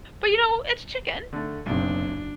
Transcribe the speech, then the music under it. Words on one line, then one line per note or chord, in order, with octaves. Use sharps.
But, you know, it's chicken.
D3 A3
F#1 B1 C3 D4